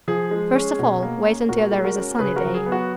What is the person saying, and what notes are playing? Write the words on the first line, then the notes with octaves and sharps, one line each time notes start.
First of all wait until there is a sunny day.
F3 G#4
G#3
C#4
B2
A#3
C#4
A#2 F#4 A#4
G#3
F#4 A#4
C#4
C#3 G#4 B4
F#4 A#4
F#3
G#4
B3
F#4